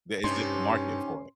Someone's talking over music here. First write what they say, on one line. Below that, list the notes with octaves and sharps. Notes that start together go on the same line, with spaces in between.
there is just a market for it.
G2 C3 C#4 D#4 C6